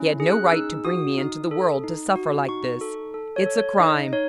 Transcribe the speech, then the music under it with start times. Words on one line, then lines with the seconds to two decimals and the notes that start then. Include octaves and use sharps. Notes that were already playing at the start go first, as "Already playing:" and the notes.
He had no right to bring me into the world to suffer like this. It's a crime.
Already playing: C#4 E4
0.20 G#4
0.30 F#6
0.52 D#4 E6
0.85 F#4 D#6
1.18 D#4
1.51 A4
1.83 D#4
2.16 F#4
2.49 D#4 C#6
2.81 A4
3.14 A4
3.36 C#5
3.46 A4
3.58 C#5
3.79 D#4 D#5
4.13 D#4 C#5